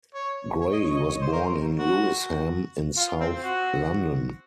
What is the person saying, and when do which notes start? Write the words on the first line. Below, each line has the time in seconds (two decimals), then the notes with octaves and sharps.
Gray was born in Lewisham, in south London.
0.14 C#5
0.61 C#5
0.73 D#5
0.85 C#5
0.96 D#5
1.08 C#5
1.21 C5
1.32 A#4
1.79 F#4
2.97 F4
3.21 C4
3.44 F#4